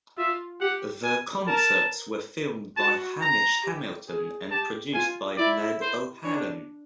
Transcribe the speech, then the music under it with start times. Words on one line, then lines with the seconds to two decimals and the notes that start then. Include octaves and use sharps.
The concerts were filmed by Hamish Hamilton and produced by Ned O'Hanlon.
0.17 F4 E5
0.61 G4 F#5
1.04 G#5
1.47 A#4 A5
2.77 F#4 A5
3.21 A#5
3.64 G4
4.07 G#4
4.51 G4 A5
4.94 F4 G#5
5.37 E4 D5
5.81 C5
6.24 D4 C#5